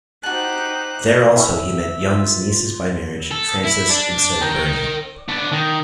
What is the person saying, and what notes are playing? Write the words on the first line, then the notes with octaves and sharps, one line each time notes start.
There also he met Young's nieces by marriage, Frances and Sarah Burney.
D#4 F#4 G4 C5 A5 F#6
A2 C#4 E5
F4
A4
E4
D4
A#4 G5
B3 D4
D#3